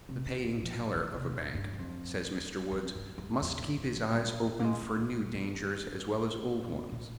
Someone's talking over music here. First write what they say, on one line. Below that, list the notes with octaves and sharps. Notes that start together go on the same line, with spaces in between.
The paying teller of a bank, says Mr. Woods, must keep his eyes open for new dangers as well as old ones.
C3
D3
D3
F3
F3
D#3
C3
A#2
G2
G2
F2
F2
G2
G2
F2
G2
G2
F3
G3
G#3
A#3
G#3
A#3
G#3
G3
D#3
A#2